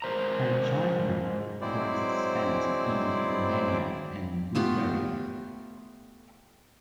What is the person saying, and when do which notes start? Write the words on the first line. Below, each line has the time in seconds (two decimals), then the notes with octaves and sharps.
Her childhood was spent in Romania and Bulgaria.
0.02 G#2 A#4 C5 A#5
1.61 F#3 G#3 C4 E4 C5 D5
4.55 A3 B3 F4 G4